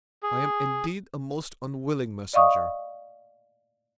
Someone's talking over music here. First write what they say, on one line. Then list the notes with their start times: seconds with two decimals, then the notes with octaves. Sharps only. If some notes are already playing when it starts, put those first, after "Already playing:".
I am indeed a most unwilling messenger.
0.23 G#4
2.33 D5 D#5 F5 C#6 D#6